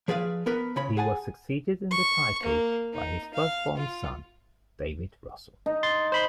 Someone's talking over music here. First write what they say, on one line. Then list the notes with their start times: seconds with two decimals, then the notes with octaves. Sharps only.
He was succeeded in the title by his first-born son David Russell.
0.08 F3 G#4 B4 D5 F5
0.46 B3 A#4 B4
0.76 C#3 C#5 B5
0.97 G#4 F#5 G#5 A5
1.91 C#6
2.43 A#3
2.93 D#4
3.34 F5
3.77 F4
5.66 D#4
5.83 C6 A6
6.12 C5 B5 C6